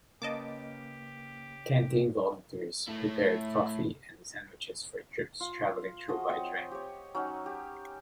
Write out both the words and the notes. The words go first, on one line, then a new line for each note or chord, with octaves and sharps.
Canteen volunteers prepared coffee and sandwiches for troops traveling through by train.
C#3 A#3 C#4 G4 B4 D#5 A5 D6
A3 E4
F4
F3 F#4 G#4 D#5
C4 C#5 D#5 G5
G4 C#5
F#3 C#4 D#4
G4